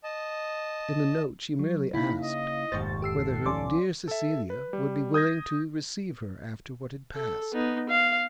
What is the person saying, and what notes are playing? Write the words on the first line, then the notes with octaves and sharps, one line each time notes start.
In the note she merely asked whether her "dear Cecilia" would be willing to receive her after what had passed.
D#5 A5
F#3
C#3 A#3 D#4 E4 B5
D#5
F1 D#2 G#2 C5 C#6 A6
G4 A4 E6 C7
C2 F3 C#4 D5 C6 D6
A4 E5
B4
G3
D#6 G6 G#6 A#6
A4
B3 D#4
F5